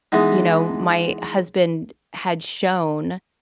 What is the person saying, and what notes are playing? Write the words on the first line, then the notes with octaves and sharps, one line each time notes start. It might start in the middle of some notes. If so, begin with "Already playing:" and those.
you know, my husband had shown
E3 G#3 B3 D#4